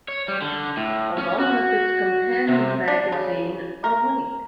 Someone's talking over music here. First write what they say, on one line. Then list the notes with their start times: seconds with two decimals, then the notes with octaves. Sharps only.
Along with its companion magazine, Awake!
0.08 C#5
0.28 G3
0.42 D3
0.77 A2
1.18 C#4
1.39 F#4
2.48 C3
2.88 D4
3.12 C#3
3.84 A#4